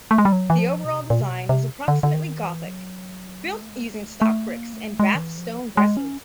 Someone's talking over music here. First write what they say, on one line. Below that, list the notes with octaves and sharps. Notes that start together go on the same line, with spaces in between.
The overall design was approximately Gothic, built using stock bricks and bath stone dressings.
A3
G#3
G3
F#3
E3
F3
B2
C3
B2
A#2
C3
B2
C3
D3
D3
D#3
E3
F#3
G#3
A3
G#3
A3
G#3
A3
A#3
A3
G#3
D#3
E3
F3
G#3
C#4